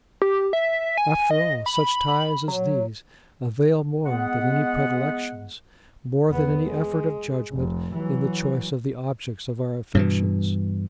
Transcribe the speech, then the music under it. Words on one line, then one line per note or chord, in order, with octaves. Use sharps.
After all, such ties as these avail more than any predilections, more than any effort of judgement in the choice of the objects of our affections.
G4
E5
G#5
D#5
B5
F#3
G#3 B3 F#5
E2 B3
G#3
F1
E3 F#3
G2 B2 E3